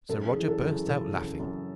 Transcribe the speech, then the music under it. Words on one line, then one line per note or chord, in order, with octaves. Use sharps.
So Roger burst out laughing.
F#2 A4
G#4
E3
A4
F#2
G#4
C#3 A4
F#2
F#2